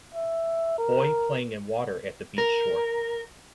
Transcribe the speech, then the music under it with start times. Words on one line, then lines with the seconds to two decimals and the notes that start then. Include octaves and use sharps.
Boy playing in water at the beach shore.
0.15 E5
0.78 A#4
2.38 A#4